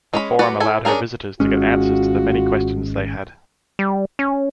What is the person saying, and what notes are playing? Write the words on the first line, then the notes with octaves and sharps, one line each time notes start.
The forum allowed her visitors to get answers to the many questions they had.
G#3 C#4 B5
G3 F#4 B4 D5 F#5
E4 A4 G#5
C#4 D4 G#4 A#4 F5
G#1 G#3 C#4 F4 F#4
G3
C#4